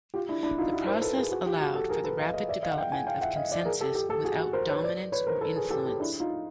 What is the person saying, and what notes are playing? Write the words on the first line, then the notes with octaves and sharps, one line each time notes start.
The process allowed for the rapid development of consensus without dominance or influence.
F4 G4
D4 E4
D4 E4
D#4 F4
E4 F#4
A#4 C5
A4 B4
G#4 A#4
F#4 G#4
F4 G4
F#4 G#4
G4 A4
G#4 A#4
A4 B4
D#5 F5
D#5 F5
D5 E5
D#5 F5
F#5
F5 G5
F#5 G#5
F5 G5
E5 F#5
D#5 F5
D5 E5
G#4 A#4
G4 A4
G4 A4
G4 A4
F#4 G#4
F#4 G#4
A#4 C5
B4 C#5
C5 D5
B4 C#5
A#4 C5
A4 B4
G#4 A#4
G4 A4
G4 A4
D4 E4
D#4 F4